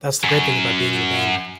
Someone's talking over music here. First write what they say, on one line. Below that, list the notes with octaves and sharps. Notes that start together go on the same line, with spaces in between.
That's the great thing about being in a band.
F#2